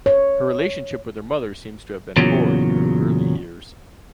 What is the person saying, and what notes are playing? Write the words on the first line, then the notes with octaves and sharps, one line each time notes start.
Her relationship with her mother seems to have been poor in her early years.
C#5
E2 A#2 C#3 F#3